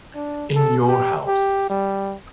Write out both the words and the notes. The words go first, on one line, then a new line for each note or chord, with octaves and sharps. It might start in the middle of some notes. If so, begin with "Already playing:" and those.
In your house.
D4
A4
G4
G4
G3